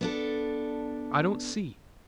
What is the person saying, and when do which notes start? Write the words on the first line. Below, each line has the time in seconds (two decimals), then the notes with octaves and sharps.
I don't see.
0.01 B3 D4 A4